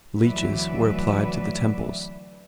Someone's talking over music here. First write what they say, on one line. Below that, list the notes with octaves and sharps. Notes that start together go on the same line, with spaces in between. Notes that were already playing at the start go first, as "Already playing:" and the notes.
Leeches were applied to the temples.
D2 E3 F#3 B4 D5 E5